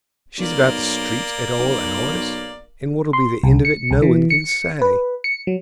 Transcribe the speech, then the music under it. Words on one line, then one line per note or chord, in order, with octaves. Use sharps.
She's about the streets at all hours, and what'll be the end of it no one can say.
B1 A#3 D5
B1
C6
C2
C#7
C2
E3
C#7
B4
C#7
F#3